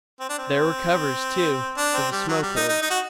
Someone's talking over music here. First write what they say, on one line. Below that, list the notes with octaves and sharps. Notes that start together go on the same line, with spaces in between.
There were covers, too, for the smoke-holes.
C4
D4
C4
D4
C4
G3
F#3
G3
D#4
D#4
D#4
F#4